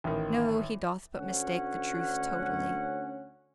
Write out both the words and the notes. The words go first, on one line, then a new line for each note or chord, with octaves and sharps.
No; he doth but mistake the truth totally.
A1 D#3
D2 C#4 F#5